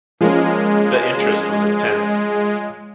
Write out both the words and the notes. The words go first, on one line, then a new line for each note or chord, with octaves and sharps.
The interest was intense.
F3 G#3 A#3 C#4